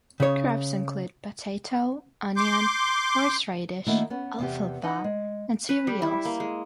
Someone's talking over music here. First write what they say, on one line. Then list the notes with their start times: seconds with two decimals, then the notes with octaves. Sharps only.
Crops include potato, onion, horseradish, alfalfa, and cereals.
0.20 C#3 C#5
2.36 C6 D6 G6
3.86 D#3 A3 A#3 D4 E4 F#4
4.10 B3 C#4
4.38 E2 C3 B3 G4
4.83 D#4 B4 D#5 F#5
5.04 G#3
5.69 B4
5.87 G3
6.02 E4
6.25 A#3
6.40 G#3